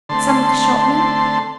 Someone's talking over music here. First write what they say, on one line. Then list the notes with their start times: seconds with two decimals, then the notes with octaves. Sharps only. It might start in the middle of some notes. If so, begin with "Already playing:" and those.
Some of the shopmen?'
0.09 D3 A3 C4 A5 C6